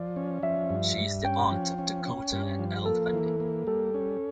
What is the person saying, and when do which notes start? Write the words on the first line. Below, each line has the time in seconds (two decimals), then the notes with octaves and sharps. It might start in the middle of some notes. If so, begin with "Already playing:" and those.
She is the aunt of Dakota and Elle Fanning.
Already playing: F3 D5
0.16 C#4
0.43 F3 E5
0.70 G2
0.97 G2
1.24 C#4 G5
1.51 F3
1.78 C#4
2.05 C#4
2.32 G2
2.59 F3
2.86 A#3 A4
3.13 E3
3.26 A4
3.40 A#3
3.67 G3 A4
3.94 C#4